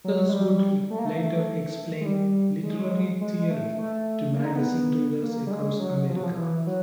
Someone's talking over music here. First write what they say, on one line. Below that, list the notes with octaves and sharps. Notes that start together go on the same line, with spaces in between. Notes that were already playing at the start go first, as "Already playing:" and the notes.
Michaels would later explain literary theory to magazine readers across America.
F#3
G#3
G3
A3
A#3
A3
A3
G#3
G3
G#3
G#3
A3
A3
A3
A#3
D#4
B3
A#3
G3
G#3
F#3
F3
F#3
F3
E3
F#3